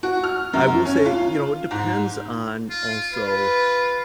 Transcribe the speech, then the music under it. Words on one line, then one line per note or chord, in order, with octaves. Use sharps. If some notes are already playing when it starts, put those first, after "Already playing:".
I will say, you know, it depends on also
F#4
F6
F#2
C#4
F4
G#2
F4
F4 B4